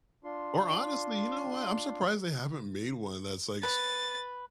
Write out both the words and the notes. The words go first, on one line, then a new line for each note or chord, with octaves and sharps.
Or honestly, you know what? I'm surprised they haven't made one that's, like,
D4 F4 C6
B4 B5 A6